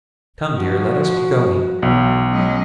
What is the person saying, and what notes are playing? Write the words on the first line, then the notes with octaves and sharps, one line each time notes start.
Come, dear; let us be going.'
F3 F#4
B1 E3
F#3 G#3 C#4 D#5